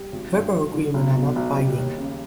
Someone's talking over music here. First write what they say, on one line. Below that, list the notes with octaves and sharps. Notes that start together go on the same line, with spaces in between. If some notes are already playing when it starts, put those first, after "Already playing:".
Verbal agreements are not binding.
Already playing: G3
G#1
G2
F#3
D3
B1
B2
B1
G3
D#2
C#3